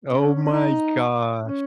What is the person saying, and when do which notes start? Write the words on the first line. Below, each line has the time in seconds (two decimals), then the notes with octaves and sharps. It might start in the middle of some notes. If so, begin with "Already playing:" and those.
Oh my gosh.
0.05 C#4
0.43 C#4
0.52 D#4
1.45 C#4